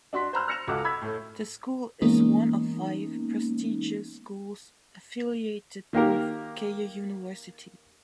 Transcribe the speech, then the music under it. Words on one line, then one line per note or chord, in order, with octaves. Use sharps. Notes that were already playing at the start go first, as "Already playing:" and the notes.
The school is one of five prestigious schools affiliated with Keio University.
D4 F#4 C6 B6
C5 A#5 B5 F6 F#6
F6 A#6 C#7 E7 F7
C#2 F#4 A4 F#5 D6
B5 E6 G#6 B6
A2 A3
E3 G#3 A#3 B3 C#4 D#4
D#3 A#3 G4 A#4